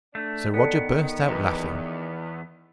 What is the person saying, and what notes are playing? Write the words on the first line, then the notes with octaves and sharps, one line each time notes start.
So Roger burst out laughing.
A3 D4
D#3 B3 A4 D5 A5
E2 B4 A#5